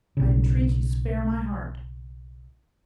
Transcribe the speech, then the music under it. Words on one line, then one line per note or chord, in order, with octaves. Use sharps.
I entreat you, spare my heart!
B1 C#3